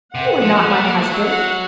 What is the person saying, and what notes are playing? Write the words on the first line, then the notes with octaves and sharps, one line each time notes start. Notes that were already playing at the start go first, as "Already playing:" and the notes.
'You are not my husband!'
C3 F#5
F3
F3
A3
A#3
A3
F#3
F#5